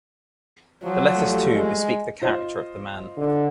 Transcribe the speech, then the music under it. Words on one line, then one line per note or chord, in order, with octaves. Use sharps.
The letters, too, bespeak the character of the man.
F3 F#3
G3 A3
G#3
F4 C5 D#5
D3